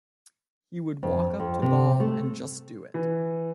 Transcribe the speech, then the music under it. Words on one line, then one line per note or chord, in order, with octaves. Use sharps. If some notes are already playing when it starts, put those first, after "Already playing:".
He would walk up to ball and "just do it".
F2
F2
C3
A3
E3